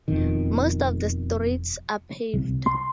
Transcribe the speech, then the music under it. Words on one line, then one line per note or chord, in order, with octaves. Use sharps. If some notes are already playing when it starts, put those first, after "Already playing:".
Most of the streets are paved.
E1 F2 B2 D#3
C2
C6